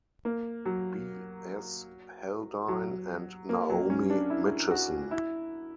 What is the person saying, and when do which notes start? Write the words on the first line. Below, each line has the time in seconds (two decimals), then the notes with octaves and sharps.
B. S. Haldane and Naomi Mitchison.
0.25 A#3
0.65 F#3
2.68 F#3
3.49 A#3
3.70 F#3
3.90 C#4
4.10 D4
4.30 E4
4.71 F#4
5.11 E4